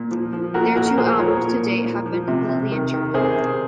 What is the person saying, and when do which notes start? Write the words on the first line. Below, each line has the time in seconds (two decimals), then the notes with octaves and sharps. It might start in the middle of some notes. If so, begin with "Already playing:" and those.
Their two albums to date have been completely in German.
Already playing: A#2
0.11 F3
0.33 F3
0.54 A#2 F#4 A#4
0.76 A#2 F#4 A#4
0.98 F3 G#4 C5
1.19 F3 A#4 C#5
1.42 A#2
1.63 A#2
1.85 F3
2.06 F3
2.28 C3
2.49 C3
2.71 D#3
2.93 D#3
3.14 C3 G#4 C5
3.36 C3